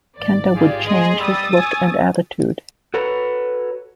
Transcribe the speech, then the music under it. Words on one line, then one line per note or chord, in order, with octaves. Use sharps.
Kenta would change his look and attitude.
G#1 D5
F4 G4 G#4
G#4 D#5 C6
G3 D#6 E6 A6
C#5 G#5
F#4 A4 B4 C#5 A#5